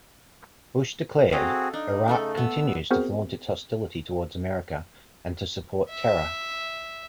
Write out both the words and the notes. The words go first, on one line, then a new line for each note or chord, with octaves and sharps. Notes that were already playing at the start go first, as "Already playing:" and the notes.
Bush declared, Iraq continues to flaunt its hostility toward America and to support terror.
C4 F#4 G#4 A4 D#5 F5
D4 D#4
C#3 A3 A4
B3 E6
B3 C4 F#4 G#4 A#4 C5
E5